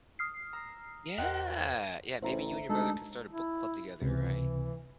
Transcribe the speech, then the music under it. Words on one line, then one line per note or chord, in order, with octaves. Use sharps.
Yeah, yeah maybe you and your mother can start a book club together, right?
D#6 F6 C7
A#5 E6
E2 A#4 C5 D#5 F#5 G5 F#6
A1 C5 E5 A#5
D2 G#3 D#4 A4
E4
C#2 C3 E3